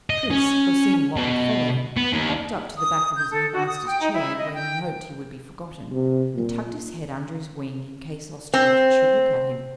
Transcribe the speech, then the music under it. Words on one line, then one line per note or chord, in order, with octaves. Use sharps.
Chris, foreseeing what would follow, hopped up to the back of his new master's chair where he hoped he would be forgotten, and tucked his head under his wing in case Osterbridge should look at him.
D#5
C#4
B2
B3
D#2
D#6
G6
A4
F#4
D#6
G5
D#4
E4
D#5
G5
C3
A#2
C4